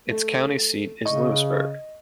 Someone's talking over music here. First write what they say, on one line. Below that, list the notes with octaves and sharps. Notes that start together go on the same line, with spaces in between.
Its county seat is Lewisburg.
A3
C#3 D#5 C#6